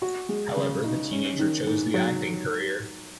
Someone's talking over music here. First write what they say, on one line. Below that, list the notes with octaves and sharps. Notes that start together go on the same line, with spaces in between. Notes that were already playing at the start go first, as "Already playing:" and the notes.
However, the teenager chose the acting career.
F#4
G#3
C#3
D#4
C#4
D#3
G#2
F#3